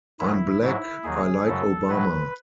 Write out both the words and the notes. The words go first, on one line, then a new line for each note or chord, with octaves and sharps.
I'm black; I like Obama.
G#2 D#3 F#3 E4
G#2 F#3 E4
D#2 D#3 F#3 G#4
F#2 C#3 F#3 A4
A2 F#3 B4